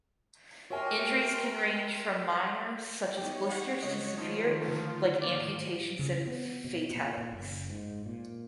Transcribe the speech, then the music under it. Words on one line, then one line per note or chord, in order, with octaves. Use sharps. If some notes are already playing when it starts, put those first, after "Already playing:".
Injuries can range from minor such as blisters to severe like amputations and fatalities.
F#4 G4 A#4 C#5 E5 G5 G#5 C6
E2 D#4 G4 C#5
F#5
C#2 D#5
A2 D#3 F3 D#4
D3 F4
D#2 A2 D#3 D5
C#3
B3
B2
A#2
A#2
F#1
G#2
A#2